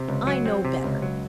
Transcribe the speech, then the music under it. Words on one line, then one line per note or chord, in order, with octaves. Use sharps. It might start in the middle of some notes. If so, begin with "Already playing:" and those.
I know better.
Already playing: C3
C#2
F#3
C4
C3
C#2
F#3